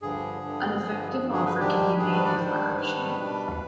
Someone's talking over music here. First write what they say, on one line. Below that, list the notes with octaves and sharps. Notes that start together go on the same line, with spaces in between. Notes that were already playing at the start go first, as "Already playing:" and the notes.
An effective offer can be made before action.
G2 D3 F3 G#4
G2 D3 F3
G2 D3 F3
G2 D3 F3
G#4
B4
G#2 D#3 G3 D4 G4
G#2 D#3 G3 D4 G#4
B4
D5
G#2 D#3 G3 D4 C5
G#2 D#3 G3 D4 B4
B2 G3 D4